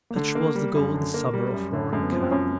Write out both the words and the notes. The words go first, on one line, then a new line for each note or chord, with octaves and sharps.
Such was the golden summer of Roaring Camp.
A#3
D3 A3
A#3
G3
F#2
D3
A#3
G3
F#2
D3 A3
F#2 G#3
B3
F3 C4
C4
F#2 C#4